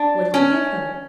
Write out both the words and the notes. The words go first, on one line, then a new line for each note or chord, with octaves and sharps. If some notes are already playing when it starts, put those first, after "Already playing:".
'What did you give her?'
Already playing: D4
C#4